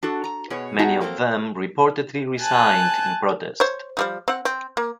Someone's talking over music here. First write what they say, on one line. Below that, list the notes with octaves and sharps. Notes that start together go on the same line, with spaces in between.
Many of them reportedly resigned in protest.
D4 F#4 A4
A#5
B2 B3 G#4 C#5
B3 D#4 F#4 G#4 E5 A5
F#3 A#3 C4 F4 A4
G#5 A5 F#6
C5 C#5
F3 G3 D#4
C4 F#5
C4
A#3